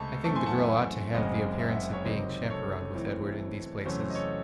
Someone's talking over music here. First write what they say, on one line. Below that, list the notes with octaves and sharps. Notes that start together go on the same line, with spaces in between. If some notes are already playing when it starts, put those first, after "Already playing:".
I think the girl ought to have the appearance of being chaperoned with Edward in these places.
Already playing: C#2 C3 A3 D#5 A5 C#6
F#2 E3 A3 C4 A5 C#6
G#5 C6
F#5 A5
E5 G#5
F#1 F#2 C#3 G#3 C4 D#5 F#5
E5
F#5
E5
F#5
C#5 E5
C#2 C3 D#3 F#3 C4 C5 D#5
A4 C#5
A1 A2 E3 C4
E2 C3 F#3 A3 C#4 C5
C5
D#5
A4 C#5